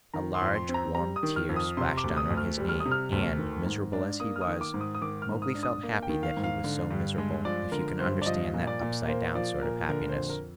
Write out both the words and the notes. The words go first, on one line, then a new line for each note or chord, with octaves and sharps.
A large, warm tear splashed down on his knee, and, miserable as he was, Mowgli felt happy that he was so miserable, if you can understand that upside-down sort of happiness.
D#3 A#5
C6
F2
C6
C4
A#5
G3 A#5
D#6
D#3
F6
F2
D#6
C3 C6
D6
D2
D#6
D2
F6
G3
F6
D#6
C3
F6
D2
D#3
G#2
D4
A#3 D#6
F6
D#6
D#3
D6
G#2
D#6
D#6
D#3 D6
F6
G#2
D#6
D4
D#6
A#3
G5
D#3
F5
G#2
F5
D3
G2
G#3
F3 D5
D3 A#4
G2 C5
D5
F3 D#5
A#2
D5
A#2
A#3 C5
F3 D5
A#2 A#4
D3 A#4
C5
F2
A#4